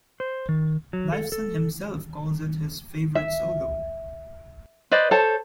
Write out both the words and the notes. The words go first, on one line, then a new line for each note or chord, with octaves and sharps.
Lifeson himself calls it his favorite solo.
C5
D#3
F#3
A4
A4
E5
B4 C5 D5 D#5
A4 C5 C#5 A5